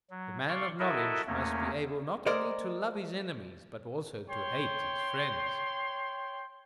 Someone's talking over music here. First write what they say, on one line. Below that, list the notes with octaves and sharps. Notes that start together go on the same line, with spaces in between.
The man of knowledge must be able not only to love his enemies, but also to hate his friends.
F#3
D5 F5 C6 C#6
E4 F#4 A4 A#4 D#5 E5
E2 A3 A#3 C#4
G#4 A#4 C5 D5 D#5
C#5 G5 C6